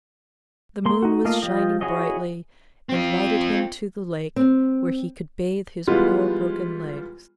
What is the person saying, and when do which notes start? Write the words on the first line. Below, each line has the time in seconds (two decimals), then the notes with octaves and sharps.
The moon was shining brightly, and lighted him to the lake where he could bathe his poor broken legs.
0.86 A#3 C6
1.02 D#4 F#4
1.25 A3 A#3 F4 D#5 F5
1.42 F3 F4 G4 D#5
1.81 E4 F#4 G#4 C#5 D#5
2.89 C4 F4
4.36 C4
5.87 E3 G3 G#3 B3 F4